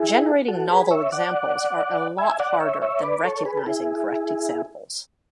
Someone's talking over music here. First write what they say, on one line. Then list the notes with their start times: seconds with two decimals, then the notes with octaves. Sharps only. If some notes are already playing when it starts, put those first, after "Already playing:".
Generating novel examples are a lot harder than recognizing correct examples.
Already playing: E4 G#4
0.48 F#4 A4
0.70 G#4 B4
0.91 C#5 E5
1.12 D5 F#5
2.18 E5 G#5
2.40 D5 F#5
2.60 C#5 E5
2.82 C#5 E5
3.03 B4 D5
3.24 A4 C#5
3.45 G#4 B4
3.57 A4
3.66 E4 G#4